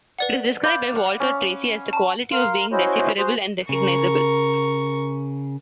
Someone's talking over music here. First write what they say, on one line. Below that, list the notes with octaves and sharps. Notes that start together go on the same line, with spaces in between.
It is described by Walter Tracy as "the quality of being decipherable and recognisable".
B4 D5 F#5
D5 F5 B5 G6
F#5
C#4
A5
A#4 F5 C6
C#4 E4 F#4 C5 C#5 D#5
F#4 G#4 C5 C6
C#3 A#4 C#6